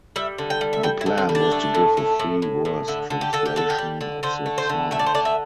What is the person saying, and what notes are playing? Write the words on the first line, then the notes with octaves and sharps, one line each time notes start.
The plan was to give a free verse translation of the Psalms.
G3 E5
D3
G5
G3
E5
G3 G5
E4
D3
C4
G3
D4
A3
A2
A3
A2
A2
A2
D3 E4
D3
G4
D3 A4
G4
D3 A4
G4
G3
D3
D3 C5
A3
C5
D3
A3 E5
D5
C5
D3 D5
E5